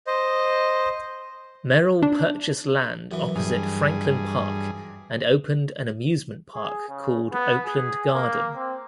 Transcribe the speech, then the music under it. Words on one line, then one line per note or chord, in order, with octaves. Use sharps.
Merrill purchased land opposite Franklin Park and opened an amusement park called Oakland Garden.
C5 D#5
D4
F#2 E3
G2 G#4
G#4
C#3
B3
G#4
A#3
C4